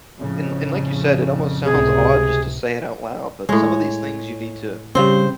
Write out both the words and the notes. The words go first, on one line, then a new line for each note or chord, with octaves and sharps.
And and like you said, it almost sounds odd just to say it out loud, but some of these things you need to
F2 A2 C#3
C#2 A2 C3 G#4
A2 G#3 C#5
C#3 G3 C4 C#4 C5